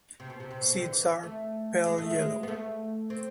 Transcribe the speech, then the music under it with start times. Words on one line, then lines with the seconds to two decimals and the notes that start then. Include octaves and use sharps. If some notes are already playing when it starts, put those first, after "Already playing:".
Seeds are pale yellow.
0.20 C3
0.30 B2
0.40 C3
0.51 C3
0.61 B2
0.72 C3
0.82 D3
0.92 E3
1.23 A3
1.86 G#3
1.98 A3
2.11 G#3
2.43 B3
2.48 A3
3.10 C4